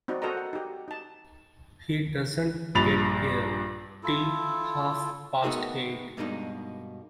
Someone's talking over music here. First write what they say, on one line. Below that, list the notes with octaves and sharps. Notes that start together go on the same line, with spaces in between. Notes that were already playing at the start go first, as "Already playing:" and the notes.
He doesn’t get here till half-past eight.
C4 D#4 F#4 D5
F#4 A4 A#4 C5 D#5 A#5
F#5
D#4 G4
D#4 A5
A#1 G2 B5 A6 F7
E4 F4 A4
A3 B3 D#4 F#4 G#4 A#4
G2 B2 G#3 A#3 D4 D#4